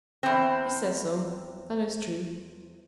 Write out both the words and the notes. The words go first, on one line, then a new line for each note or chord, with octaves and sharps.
"He says so, that is true."
E2 C4